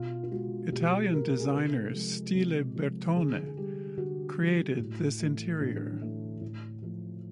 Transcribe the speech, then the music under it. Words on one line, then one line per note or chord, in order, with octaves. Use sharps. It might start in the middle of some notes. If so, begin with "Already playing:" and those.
Italian designer Stile Bertone created this interior.
Already playing: B2 F4
F4
G#3 F#4
B2 G4
G#3 A#4
G4
G#4
C3 A4
F3 G#3
C3
F3 G#3
D3 G#4
G#4
G3 G4
D3 F#4
G3
A2
E3 A3
A2 D4
E3 A3
A2
F3 A3